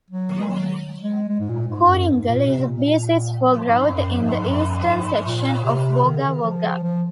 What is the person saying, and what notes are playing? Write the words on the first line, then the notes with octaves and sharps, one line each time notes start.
Kooringal is the basis for growth in the eastern section of Wagga Wagga.
F#3
G#3
F#3
G#3
G#3
G#2
A#2
G#2
F#2
G#2
A#2
C3
A#2
G#2
F#2
G#2
F#2
G#2
G#2
A#2
C3
D#3
C#3
D#3
F3
F3